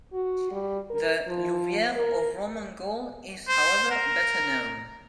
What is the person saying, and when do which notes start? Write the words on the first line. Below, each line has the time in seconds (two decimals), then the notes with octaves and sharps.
The Louviers of Roman Gaul is, however, better known.
0.13 F#4
0.51 G3
0.90 A#4
1.27 F3
1.96 A#4
3.48 C5
3.91 A#4